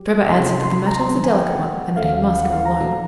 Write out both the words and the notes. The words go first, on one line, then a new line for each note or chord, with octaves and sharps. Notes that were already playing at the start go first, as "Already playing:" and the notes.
Drebber answered that the matter was a delicate one, and that he must go alone.
Already playing: F#3 G4
C3 E3 A3 C#4 C6
B5
C6
B5
A#5
A#5
D3 F3 G#3 C4
G#5
G5
F#5
D#2 C#3 F3 A3 F5
F5
F#5
F5
A#5
A#2 F#3 A3 D4